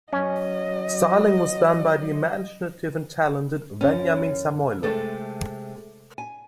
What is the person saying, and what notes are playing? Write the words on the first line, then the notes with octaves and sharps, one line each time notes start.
Styling was done by "the imaginative and talented Veniamin Samoilov".
F#3 C#4 D#5
F#2 C#4
C3 G#3 A3 A4
G#5